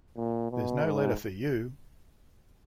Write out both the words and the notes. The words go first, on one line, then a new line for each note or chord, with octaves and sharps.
There's no letter for you!
A#2
B2
G#2